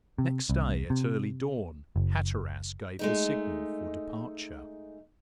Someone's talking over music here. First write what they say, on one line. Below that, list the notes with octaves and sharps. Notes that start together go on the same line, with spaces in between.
Next day at early dawn, Hatteras gave the signal for departure.
C3
C2
C3
F#1
G#3 A3 D#4